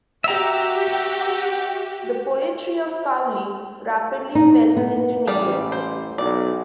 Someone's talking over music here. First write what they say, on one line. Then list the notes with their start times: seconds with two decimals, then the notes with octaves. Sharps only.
The poetry of Cowley rapidly fell into neglect.
0.24 F#4 G4 E5 A#5
4.35 D#4
4.77 B3
5.27 A1 G3 D5 F5
5.72 C5
6.18 B1 D5